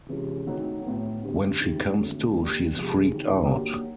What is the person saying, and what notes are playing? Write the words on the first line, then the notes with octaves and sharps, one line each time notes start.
When she comes to, she is freaked out.
C3 E3 G#3 C#4 F4
D#3 F#3 A3 C4 D#4
A2 F#3 B3
D3 G3 C4
D#3 G#3 C4 E4 G4
D3 F#3 A3
G3 A#3 D4 G4
C3 F3 G#3
C3 D#3 F#3
F#3 A#3 D4 G4